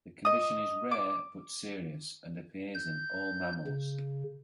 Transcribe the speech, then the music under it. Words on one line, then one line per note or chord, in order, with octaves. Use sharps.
The condition is rare but serious, and appears in all mammals.
D#5 D#6
D6
G6
C#3